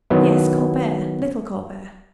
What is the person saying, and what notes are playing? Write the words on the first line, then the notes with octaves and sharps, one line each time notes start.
"Yes, Colbert, little Colbert."
D#3 F#3 B3 E4